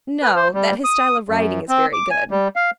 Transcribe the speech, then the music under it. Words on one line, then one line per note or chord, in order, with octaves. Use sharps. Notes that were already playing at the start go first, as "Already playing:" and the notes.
"No; that his style of writing is very good."
B4
C5
G3
D#6
F#2
C4
D6
G#5
G3
F5